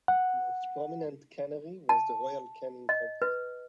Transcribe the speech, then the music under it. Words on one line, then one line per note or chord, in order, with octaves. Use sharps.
The most prominent cannery was the Royal Canning Company.
F#5
A5
D#5
B4